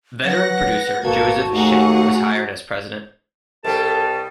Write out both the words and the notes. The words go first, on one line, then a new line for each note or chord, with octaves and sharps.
Veteran producer Joseph Schenck was hired as president.
F#3 B4 F#5 A#6
G#1 A#3 F#4 A4 G#6
D#2 A3 G#4 F#5 A#5
C2 B2 G3 A4 A5